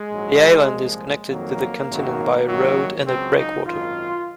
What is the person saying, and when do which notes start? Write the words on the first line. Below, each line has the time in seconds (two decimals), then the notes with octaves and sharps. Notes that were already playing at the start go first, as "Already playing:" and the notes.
The island is connected to the continent by a road and a breakwater.
Already playing: G#3
0.10 A#1 G#2 F#3
0.69 C2 A#2 F3
1.29 F2 D#3 F#3 A#3
1.87 G#1 F#2 D#3 F#3
2.46 G#1 F#2 D#3 F#3
3.06 C#2 C#3 F#3 C4
3.35 D#4
3.64 G#1 F#2 D#3 F4